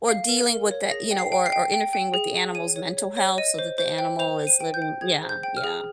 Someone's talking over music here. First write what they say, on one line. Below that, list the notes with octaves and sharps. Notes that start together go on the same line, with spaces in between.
Or dealing with that you know, or or interfering with the animal's mental health so that the animal is living Yeah, yeah.
F5
A#4
A#4
C#5
G#4 A#6
G5
C7
G5
C7
G5
G5
G5
G#4
G#4
C#5 D#7
C#5
C#5
C#5
D#5 D#7
C5
C5
G5
C5 F7
C5
D#7
G5
G6
G5
G#4 G#6
C5
G6
G5
F6
G#4